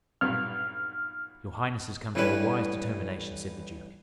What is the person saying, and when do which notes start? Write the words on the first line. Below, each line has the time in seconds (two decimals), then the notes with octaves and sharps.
"Your highness has come to a wise determination," said the duke.
0.21 B1 G2 A#2 F6
2.15 A1 G2 E3 C#4 E4 B4